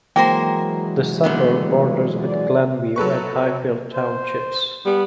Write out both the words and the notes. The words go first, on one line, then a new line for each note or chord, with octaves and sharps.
The suburb borders with Glen View and Highfield townships.
E3 F#3 G#3 A#3 A#4 C5 G5
A#2 D3 G3 A#3 B3 B4
F2 G#4 D5
F#3 A4 B4 C#6
C5
G3 B3